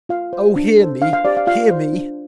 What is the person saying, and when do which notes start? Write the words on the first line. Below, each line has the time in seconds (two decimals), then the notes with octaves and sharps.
Oh, hear me! hear me!
0.09 F4 F5
0.33 C5
0.56 D4
0.78 A4
0.84 C5
1.01 D4 F5
1.13 F5
1.25 G4 C5 D5
1.37 F5
1.47 F4 F5
1.71 C5
1.93 D4